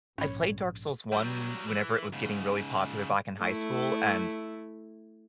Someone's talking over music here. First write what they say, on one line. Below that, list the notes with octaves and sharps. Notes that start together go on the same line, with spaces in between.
I played Dark Souls one, whenever it was getting really popular back in high school, and,
A#1 G#2 C#4 C#5 B5
F#3 G3
E3
G#2 C#3
A3 E4